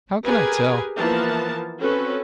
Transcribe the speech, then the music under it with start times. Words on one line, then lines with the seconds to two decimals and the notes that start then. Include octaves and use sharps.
How can I tell?
0.25 G4 G#4 A#4 B4 G#5
0.98 E3 F3 A#3 B3 A#4 A5
1.81 C4 C#4 F#4 A4 B4